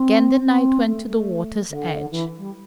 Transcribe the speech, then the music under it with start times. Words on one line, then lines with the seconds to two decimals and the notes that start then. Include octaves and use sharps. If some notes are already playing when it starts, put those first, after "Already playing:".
Again the knight went to the water's edge.
Already playing: C4
0.44 C4
0.85 A3
1.06 A3
1.68 D3
2.10 E3
2.38 G3